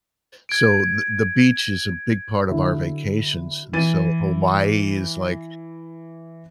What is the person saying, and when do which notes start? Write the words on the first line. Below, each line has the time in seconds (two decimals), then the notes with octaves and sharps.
So the the beach is a big part of our vacations, and so Hawaii is, like,
0.49 G#6 D7
2.49 D3 F#3 E4
3.73 E3 E4 A6 D#7